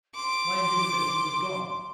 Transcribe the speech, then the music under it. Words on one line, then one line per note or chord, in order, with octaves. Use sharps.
My invisibility was gone!
C6 D6